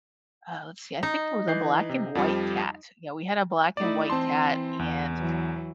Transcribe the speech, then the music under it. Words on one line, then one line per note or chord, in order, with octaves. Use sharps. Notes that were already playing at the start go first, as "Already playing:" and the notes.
uh, let's see, I think it was a black and white cat. Yeah, we had a black and white cat and
D#4
E3 G6 C7
C3
F2 F3 G3
A3 D#4 E4 D5
E3 C4 A5 C6
E2
E3 F#3